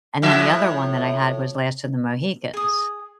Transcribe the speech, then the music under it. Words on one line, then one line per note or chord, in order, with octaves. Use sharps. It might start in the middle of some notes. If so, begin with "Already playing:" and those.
And then the other one that I had was Last of the Mohicans.
A2 F3 E5
G#4 D#6